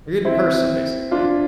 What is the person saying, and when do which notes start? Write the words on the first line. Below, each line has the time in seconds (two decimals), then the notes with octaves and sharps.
A good person, basically.
0.25 C4 E4
1.11 D4 F4